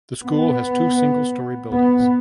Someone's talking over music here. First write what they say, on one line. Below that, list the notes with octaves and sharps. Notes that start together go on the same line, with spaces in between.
The school has two single storey building.
B3
B3